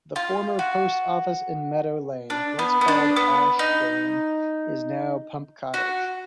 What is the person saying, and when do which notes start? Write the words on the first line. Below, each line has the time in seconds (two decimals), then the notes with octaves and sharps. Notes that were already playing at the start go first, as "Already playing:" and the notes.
The former post office in Meadow Lane, once called Ashdene, is now Pump Cottage.
0.16 F4
0.59 F#4
2.30 D4
2.59 B3
2.81 B3
2.88 D4
3.16 B3
3.59 D#4
5.74 F#4